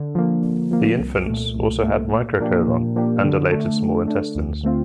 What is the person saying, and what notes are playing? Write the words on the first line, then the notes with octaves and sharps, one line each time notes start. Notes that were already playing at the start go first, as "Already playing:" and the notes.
The infants also had microcolon and dilated small intestines.
Already playing: D3
F3 A#3
D3
F3 A#3
C2
A#2 A3
C2
A#2 A3
A#2
F3 A#3 D4 G4
A#2
F3 A#3 D4 G4
D3
A3 D4
D3
A3 D4
D2
D3 A3 C4 F4